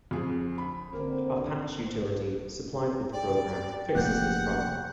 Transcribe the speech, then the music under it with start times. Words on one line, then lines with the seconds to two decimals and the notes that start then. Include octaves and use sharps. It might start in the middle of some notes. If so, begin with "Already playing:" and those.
A "patch" utility supplied with the program fixes this problem.
0.11 F2 G#4
0.58 B5
0.93 D3 A#3 C4
3.13 D5 G5
3.95 F1 F3 A#3 F#5 F#6 G6